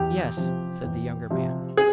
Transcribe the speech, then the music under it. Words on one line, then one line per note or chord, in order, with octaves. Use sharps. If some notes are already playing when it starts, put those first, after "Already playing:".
"Yes," said the younger man.
Already playing: E2 G4
C3 F3
E2
C3 F3
G#4